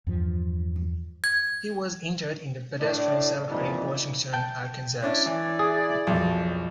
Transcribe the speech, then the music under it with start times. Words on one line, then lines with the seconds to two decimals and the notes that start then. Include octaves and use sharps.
He was interred in the Presbyterian Cemetery, Washington, Arkansas.
0.07 E2 G2 F3
1.24 G#6
2.80 A2 D4
3.49 F2 A#2 E3 G3 D4 D#4
4.33 G5 A5
5.02 C#4 D4 E4 D5
5.26 E3
5.59 G#4
6.07 B1 F2 F#3